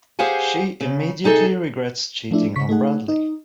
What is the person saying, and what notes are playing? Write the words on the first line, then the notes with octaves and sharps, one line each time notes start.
She immediately regrets cheating on Bradley.
G4 G#4 C5 F5 F#5 G#5
C#3
C3 D#4 G#4 A4
F3 A3 D4 E4
C#3 C#6 B6
A3 D#4 G#4 F#5
D#4